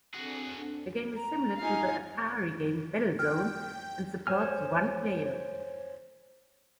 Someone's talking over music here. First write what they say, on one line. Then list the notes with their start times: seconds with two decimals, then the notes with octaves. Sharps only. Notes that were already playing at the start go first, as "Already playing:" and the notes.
The game is similar to the Atari game "Battlezone", and supports one player.
0.14 C4 D4 F#4 G#4 A4
1.16 A#5
1.58 D#4 F4 F5 G#5
3.19 G5 F6
4.27 C5 C#5 G#5 F6